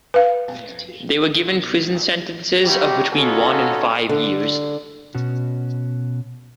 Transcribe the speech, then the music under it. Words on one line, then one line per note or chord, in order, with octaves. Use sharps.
They were given prison sentences of between one and five years.
B4 F5
F#3 G3 D#4 F4 G4
B3 C#4 D#4 F4 F#4 A4
D3
B2 C#4 F#4